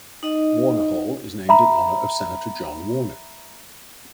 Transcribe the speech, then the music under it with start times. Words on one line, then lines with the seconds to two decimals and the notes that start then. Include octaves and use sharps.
Warner Hall is named in honor of Senator John Warner.
0.23 D#4 D#5
1.49 E5 A#5 B5